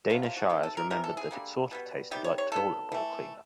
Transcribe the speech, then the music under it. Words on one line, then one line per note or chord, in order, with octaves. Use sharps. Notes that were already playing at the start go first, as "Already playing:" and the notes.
Dana Shires remembered that it sort of tasted like toilet bowl cleaner.
C3 F3 A#3 F4
F4
F#4
C3 D#3 G4
A4
A#4
C3 E3 G3 A#4
A4
G#4
D3 G3 A#3
B2 G3 B3
C3 D#3 G3 G4
C#5
C#5
D#3 F#3 B3 A4
E3 A3